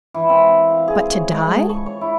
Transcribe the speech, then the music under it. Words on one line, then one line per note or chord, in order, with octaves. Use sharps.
But to die?
E3
C4
F5
G#4
C#5
G#3
A5
C#6
C#5
E4